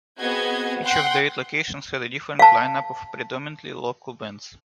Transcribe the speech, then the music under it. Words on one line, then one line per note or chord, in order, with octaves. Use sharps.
Each of the eight locations had a different lineup of predominantly local bands.
B3 C4 F#4 G#4 D#5 G#6
F#5 G5 C6 F#6
F5 A5